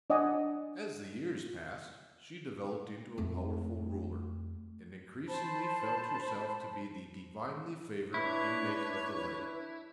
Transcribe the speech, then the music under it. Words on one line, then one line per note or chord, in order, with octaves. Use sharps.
As the years passed she developed into a powerful ruler, and increasingly felt herself to be the divinely-favoured inmate of the lake.
D4 D5 D#5 F#5 G#5 D#6
F2 A3
C5 A5 B5
D4 E4 B4 C#5